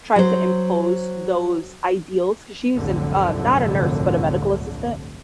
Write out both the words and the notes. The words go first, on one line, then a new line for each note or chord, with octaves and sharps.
tried to impose those ideals, 'cause she was a n uh, not a nurse, but a medical assistant,
F#3 C5
G1 C2 F2 A2 D3 F#3